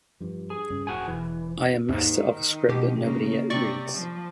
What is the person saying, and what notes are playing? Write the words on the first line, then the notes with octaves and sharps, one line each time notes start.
I am master of a script that nobody yet reads.
G2 F3
G#4
C#2 G2 C#4
D#1 F#4 G#4 G#5
E1 E3
D#2 G#2 D#3
B2 G4
C#3 A#3
C3 D5 C#6
F3